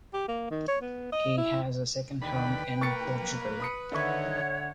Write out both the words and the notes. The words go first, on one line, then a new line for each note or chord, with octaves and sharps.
He has a second home in Portugal.
G4
A#3
D#3
C#5
B3
D#5
E4
D#2 D3 B4 G5 B5
A#3 C#6 A6 C#7
B5 D#6 C#7
D3 D#3 C#5 E5 F#5 C#6